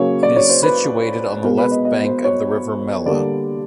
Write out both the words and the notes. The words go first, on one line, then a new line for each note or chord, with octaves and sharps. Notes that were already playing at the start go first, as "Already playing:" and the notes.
It is situated on the left bank of the river Mella.
Already playing: C#3 F#3 A#3 C#5
D5
C#5
C5
B4
B2 G#3 A#4
B4
D#5
D#5
C5
C#5
D3 G3 A#3 D5